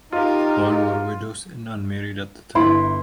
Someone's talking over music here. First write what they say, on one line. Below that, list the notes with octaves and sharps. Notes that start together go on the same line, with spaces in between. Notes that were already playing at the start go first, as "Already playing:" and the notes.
All were widows and unmarried at the time.
D#4 F4 G4 A#4
G1 E4 B5 C6